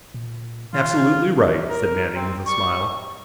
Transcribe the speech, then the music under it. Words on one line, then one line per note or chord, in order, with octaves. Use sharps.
"Absolutely right," said Manning with a smile.
A#2
D#3 F4
A#4
C4
G3 C#6